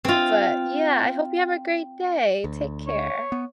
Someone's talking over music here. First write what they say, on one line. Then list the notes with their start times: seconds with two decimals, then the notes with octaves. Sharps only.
but, yeah. I hope you have a great day, take care.
0.05 C4 F4
2.44 D2
2.87 C#5
3.32 B3